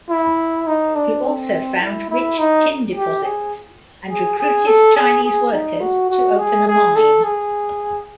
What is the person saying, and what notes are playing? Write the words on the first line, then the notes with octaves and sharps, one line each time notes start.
He also found rich tin deposits, and recruited Chinese workers to open a mine.
E4
D#4
D4
C4
E4
E4
D#4
G4
G#4
G#4
G#4
A4
G#4
G#4
D#4
F#4
F#4
G#4
G#4
A4
G#4